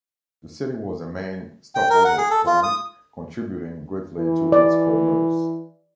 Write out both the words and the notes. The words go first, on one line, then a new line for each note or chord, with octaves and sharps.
The city was a main stop-over point, contributing greatly to its commerce.
G5
A#4
F#5
G#4
A4
F4
D#6
E3
D5